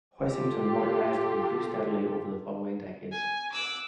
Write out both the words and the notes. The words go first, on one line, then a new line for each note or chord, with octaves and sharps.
Hoisington modernized and grew steadily over the following decades.
F4 G4 A4
G#5
D6 E6 F#6